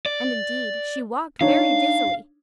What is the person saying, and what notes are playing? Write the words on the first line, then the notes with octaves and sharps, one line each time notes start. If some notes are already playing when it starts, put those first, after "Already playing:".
And indeed, she walked very dizzily.
D5
D4 D#4 C#5 F5